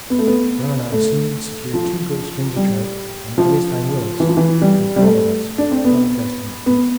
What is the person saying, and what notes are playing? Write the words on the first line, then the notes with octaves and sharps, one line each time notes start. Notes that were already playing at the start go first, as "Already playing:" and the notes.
John and I soon secured two good strings of trout; and by this time Willis, who had followed us, thought it best to make peace.
B3
A3
B3
A3
F3
G3
F3
E3
F3
E3
G3
G3
A3
D4
C4
B3
B3